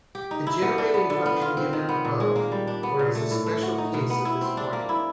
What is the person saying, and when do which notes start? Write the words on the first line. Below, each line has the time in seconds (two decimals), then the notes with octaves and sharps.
The generating function given above for is a special case of this formula.
0.15 G4
0.31 D#4
0.47 E4
0.62 B3
0.78 D4
0.94 B3
1.10 D3
1.26 B3
1.41 F4
1.57 C4
1.73 D#3
1.89 B3
2.05 A#2
2.20 G#3
2.36 A#3
2.52 G3
2.67 D4
2.83 B3
2.99 A#2
3.15 A3
3.31 A2
3.46 A3
3.62 F#4
3.78 D#4
3.94 B2
4.10 B3
4.25 E4
4.41 C4
4.57 D4
4.73 A#3
4.89 E4